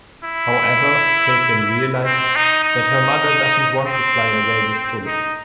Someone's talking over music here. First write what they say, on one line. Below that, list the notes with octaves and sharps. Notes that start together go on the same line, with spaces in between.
However, Kaitlin realizes that her mother doesn't want to fly away with Bullit.
E4
C4
D#4
D#4
C4
D#4